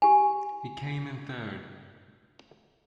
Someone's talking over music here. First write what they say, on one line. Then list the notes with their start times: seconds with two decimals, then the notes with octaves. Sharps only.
He came in third.
0.02 G4 G#5